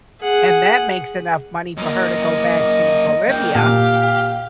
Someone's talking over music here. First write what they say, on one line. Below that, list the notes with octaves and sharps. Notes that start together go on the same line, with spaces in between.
and that makes enough money for her to go back to Bolivia
G#4 F#5
F#2 A#3 D#5
F#2 A#3 G5
A#2 G4 F5